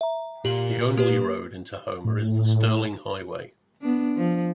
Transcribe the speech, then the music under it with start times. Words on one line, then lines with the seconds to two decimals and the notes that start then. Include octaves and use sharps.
The only road into Homer is the Sterling Highway.
0.01 E5 A#5
0.45 A#2 G4 F#7
0.97 A#3 G4 B4
2.05 A2
3.81 B3 D4
4.17 F3